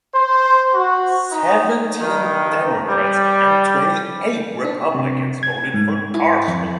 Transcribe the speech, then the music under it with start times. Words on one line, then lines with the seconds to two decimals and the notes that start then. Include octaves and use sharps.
Seventeen Democrats and twenty-eight Republicans voted for Carswell.
0.14 C5
0.74 F#4
1.32 D#4
2.00 G2 D#3
2.89 G3
4.65 D4
4.95 C3
5.43 G#6
5.74 G#2
6.14 E4
6.48 F2